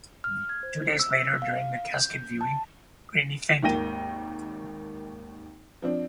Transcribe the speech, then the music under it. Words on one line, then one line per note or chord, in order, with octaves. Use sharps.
Two days later during the casket viewing, Graney fainted.
F6
G#6
C5
E6
F5
G6
A5
G#1 D#2 A#3 G5 A#6 D#7
F3 C4 D4